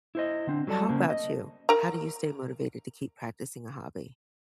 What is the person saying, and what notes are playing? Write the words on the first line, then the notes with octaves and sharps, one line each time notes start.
How about you, how do you stay motivated to keep practicing a hobby?
E4 C5 D#5
D3 C4 D4
F#3 G3 A4 D5 A5
C#3 A#3 C4
D#5
A#4 A#5